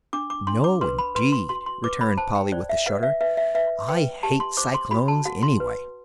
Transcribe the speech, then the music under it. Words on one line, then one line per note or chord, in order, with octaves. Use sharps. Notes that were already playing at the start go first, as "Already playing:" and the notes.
"No indeed," returned Polly, with a shudder, "I hate cyclones, anyway."
D4 D6
D6
D4 C6
D6
B4 C6
B5
B4 C6
C6
F#4 C6
C6
B4 D6
B5
C5 A5
G5
C5 D5
E5
B4 F#5
E5
B4 E5
E5
B4 E5
B4 G5
G4 A5
C6
C5 D6
C6
F#4 B5
A5
F#4 F#5
C6
B4